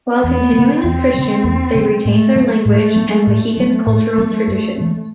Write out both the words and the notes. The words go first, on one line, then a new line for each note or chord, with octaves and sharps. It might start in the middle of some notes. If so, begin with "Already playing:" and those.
While continuing as Christians, they retained their language and Mahican cultural traditions.
E2 B3
F#3
C#3
E2 C4
C#3 F#3
E2
C#3 F#3
A2 A3
F#3 B3 D4
A2 A3
F#3 B3 D4
A2 A3
F#3 A3 B3 D4
A2
F#3 B3 D4
G2
E3 G#3 C#4